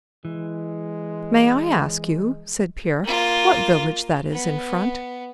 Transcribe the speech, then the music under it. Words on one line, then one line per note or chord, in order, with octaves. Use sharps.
"May I ask you," said Pierre, "what village that is in front?"
E3 G#3
A#3 F4
B3